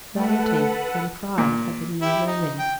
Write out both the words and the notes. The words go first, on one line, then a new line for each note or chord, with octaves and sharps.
Vanity and pride have been your ruin.
A3 A4 B4 F#5
A#2
E4 G4
D#4
G5